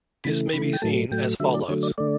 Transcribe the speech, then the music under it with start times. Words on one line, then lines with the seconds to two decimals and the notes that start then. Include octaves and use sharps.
This may be seen as follows.
0.25 C#3 E3 A3 B5
0.53 C#3 E3 A3 B5
0.73 G5
0.82 A2 F#3 A3 A5
1.11 A2 F#3 A3 G5
1.40 D3 F#3 A3 E5
1.54 D5
1.68 D3 F#3 A3 C#5
1.83 D5
1.98 D3 A3 D5